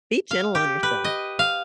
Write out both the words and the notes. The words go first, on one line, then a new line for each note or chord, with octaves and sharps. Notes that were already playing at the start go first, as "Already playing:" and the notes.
be gentle on yourself.
F5
G4
B4
D#5
F5